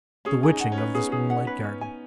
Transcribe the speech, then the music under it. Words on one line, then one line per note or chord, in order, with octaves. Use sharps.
The witching of this moonlit garden!
C#4 G#4
D#4 G#4
F#5
C#4
B4
B3 G#4
G#4
F#5
B4
C#4
G#5